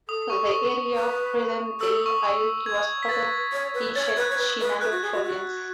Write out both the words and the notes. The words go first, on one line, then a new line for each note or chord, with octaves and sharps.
The area of present-day Aoki was part of ancient Shinano Province.
A4 D#6
D#6
C#6
D#6
C#6
B4
A4 E6
D#6
C#6
D#6
G#6
B6
B4 A6
C#5
B4
C#5 A6
G#6
B4 F#6
C#5 G#6
B4
B4
B4 F#6
F#4
G#4
F#4
F#4